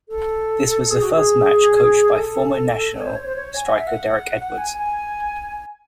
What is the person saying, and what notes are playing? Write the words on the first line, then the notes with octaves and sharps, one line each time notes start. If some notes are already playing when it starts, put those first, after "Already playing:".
This was the first match coached by former national striker Derrick Edwards.
A4
G#4
F#4
G#4
A4
A4
C#5
C5
C#5
C5
C#5
G#5
F#5
E5
F#5
G#5
G#5